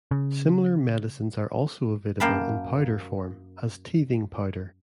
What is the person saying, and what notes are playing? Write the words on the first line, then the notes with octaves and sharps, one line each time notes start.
Similar medicines are also available in powder form, as "teething powder".
C#3
F#2 A#3 F5 G5 A5 B5